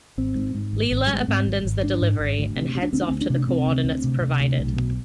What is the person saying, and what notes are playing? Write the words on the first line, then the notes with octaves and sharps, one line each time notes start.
Leela abandons the delivery, and heads off to the coordinates provided.
G#1 C4
G#2
G#2
G#1
G#1
G3
G#2 G#3
B3
G#2 C4
G#1
G#1
G#2 D4
G#2
G#1
D2
C3
C3
D4
D2 C4
D4
C4
D2
D4
C3
D4
C3 C4
D2
D2
C3
C3
D2
B1
B2